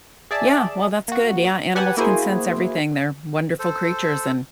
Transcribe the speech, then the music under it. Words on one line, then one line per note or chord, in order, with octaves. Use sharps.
Yeah, well, that's good, yeah, animals can sense everything they're wonderful creatures and,
G#4 D5 E5 A5
A#3 F#4
G4 B4 F#5 G#5 A5
A#3 E4 F#4 G#4 C5 G#5
A4 C5